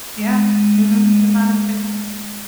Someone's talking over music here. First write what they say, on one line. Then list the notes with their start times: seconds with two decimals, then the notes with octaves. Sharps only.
Yeah, mhm, 'cause not everybody has one.
0.18 G#3